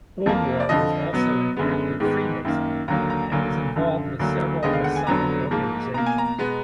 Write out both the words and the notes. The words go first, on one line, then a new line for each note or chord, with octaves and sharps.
Bullmore was also an active freemason, and was involved with several masonic organizations.
F2 F3 A#3
D5
F2 D3 F3 D#5
B2 F#3 B3
F#2 D3 G#3 B3
G#2 D#3 G#3 B3
F#2 D#3 A#3
D#2 D3 F#3 A#3 A#5
A#5
D2 D3 F#3 A#3
F#2 D3 F3
D2 D3 F#3 A#3
D#2 D3 G#3 B3 D#5
F5
F#5
G#5
F2 D3 F#3 B3 A#5
G#2 F3 A#3
B2 A#3 A#5
G#5
A#5
B2 G#3 B3